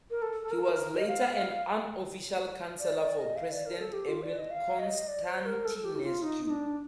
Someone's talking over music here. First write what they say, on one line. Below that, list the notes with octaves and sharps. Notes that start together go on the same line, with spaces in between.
He was later an unofficial counselor for president Emil Constantinescu.
A#4
A4
A4
A#4
D#5
F5
F5
D5
D5
D#5
F5
D5
A#4
A4
G4
F4
D5
D#5
F5
D#5
D5
C5
A#4
A4
G4
D#4
F4
D#4
D#4
D4